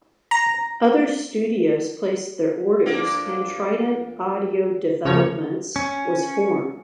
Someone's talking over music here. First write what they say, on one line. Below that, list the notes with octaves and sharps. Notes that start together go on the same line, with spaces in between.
Other studios placed their orders and Trident Audio Developments was formed.
A#5
F2 A#3 D4
C#3 F3 C#5
C#4